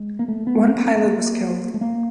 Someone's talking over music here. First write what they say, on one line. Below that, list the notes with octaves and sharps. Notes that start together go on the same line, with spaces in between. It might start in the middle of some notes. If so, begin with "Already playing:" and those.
One pilot was killed.
Already playing: G#3
A#3
A3
B3
G#3
A3
B3
C4
B3
A#3
A3
A#3